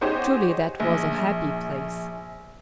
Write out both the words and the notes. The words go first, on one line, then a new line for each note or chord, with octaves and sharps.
Truly that was a happy place.
D#4 G4 G#4 C5 C#5 F#5
A#1